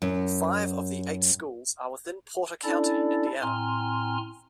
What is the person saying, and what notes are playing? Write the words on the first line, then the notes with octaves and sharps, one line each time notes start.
Five of the eight schools are within Porter County, Indiana.
F#2
C#4 D4 E4 A4 D5
A2 C4 G#5 A#5 C6 F6